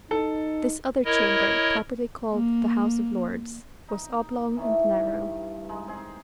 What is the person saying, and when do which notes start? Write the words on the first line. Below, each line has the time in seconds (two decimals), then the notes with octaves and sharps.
This other chamber, properly called the House of Lords, was oblong and narrow.
0.11 D#4 A4
1.05 E4 A#4 C#5 D#5
2.33 A#3
3.89 D#4
4.57 A2 D#3 E3
5.03 G2 G4
5.69 G#3 D#4
5.88 C4 D#4 G#4